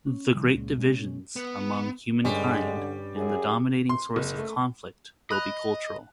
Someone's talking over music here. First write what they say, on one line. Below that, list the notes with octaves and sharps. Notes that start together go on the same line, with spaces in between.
The great divisions among humankind and the dominating source of conflict will be cultural.
C#4
C3 D#3 E3 G3
C#2 A#2 G#3 C#4
B2 G#3 B3 C#4
B3
G2 D3 G3 G#3 C#4
F#2 G#4
C6
F#1
A3
D#5 B5 F#6 F7